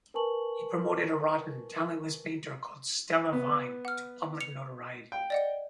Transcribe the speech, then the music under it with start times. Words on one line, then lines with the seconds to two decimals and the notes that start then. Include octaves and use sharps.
He promoted a rotten, talentless painter called Stella Vine to public notoriety.
0.14 A#4 B4 G#5 A5 C#6 F#7
3.33 B3
3.85 F#5 F6
4.41 C#7 F7
5.12 G5
5.30 D5 D#5 F#5